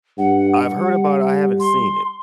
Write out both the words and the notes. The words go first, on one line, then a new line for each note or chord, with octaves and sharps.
I've heard about I haven't seen it.
G2 F#5
G3
C6